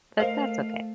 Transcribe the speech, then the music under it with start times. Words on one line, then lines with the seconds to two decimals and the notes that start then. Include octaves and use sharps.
But that's okay.
0.20 A3 A#4 C5 D#5 F5